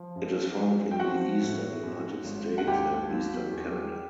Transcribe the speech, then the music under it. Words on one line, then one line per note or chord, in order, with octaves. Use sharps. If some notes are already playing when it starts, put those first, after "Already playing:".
It is found in the eastern United States and eastern Canada.
Already playing: F3
F#2
F#2
G5
F3 F#4 F#5
A2
F#2
G#1
F#5
D#2 G4 G5
F#3
E2